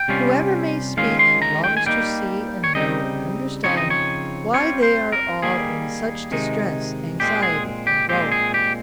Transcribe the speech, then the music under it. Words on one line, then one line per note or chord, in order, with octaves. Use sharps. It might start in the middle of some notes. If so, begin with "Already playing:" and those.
Whoever may speak, he longs to see and know and understand why they are all in such distress, anxiety, and woe.
Already playing: G5
C3 G3 C#4 F4
D#3 G#3 C#4 F4 F5
C6
A#5
G5
G#5
G3 A#3 D#4 G5
C#5
C#3 G3 C4 D#4 D#5
C#3 F3 C4 D#4 C#5
D#5
C#5
G3 C4 F4 C#5
C5
A#4
D#3 G3 A#3 G#4
C3 D#3 G#3 D#4
A#2 G#3 C4 G4
G#4
G4
A#2 G#3 C4 G4
G#4
G4